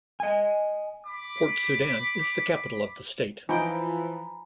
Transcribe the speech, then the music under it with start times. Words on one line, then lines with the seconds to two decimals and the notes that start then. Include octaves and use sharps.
Port Sudan is the capital of the state.
0.20 D#5 G#5
1.06 B5 D6
3.49 E3 F3 D#4 G5 G#5 A#5 B5